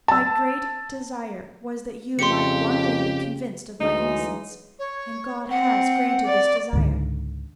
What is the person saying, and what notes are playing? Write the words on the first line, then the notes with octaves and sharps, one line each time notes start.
My great desire was that you might one day be convinced of my innocence, and God has granted this desire.
A5 E6
F2 C#3 G4 C6 C#7
D2 E3 F#3 G#3 D#4
C#5
C4 F#5
D5
C#2 G#2 D3